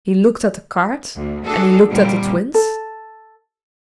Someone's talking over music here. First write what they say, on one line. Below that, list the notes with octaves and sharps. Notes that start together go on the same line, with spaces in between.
He looked at the cart, and he looked at the Twins.
D2
D4 F#4 G#4 A4
A#2 D3 D#3 G3 A#3 C4
A4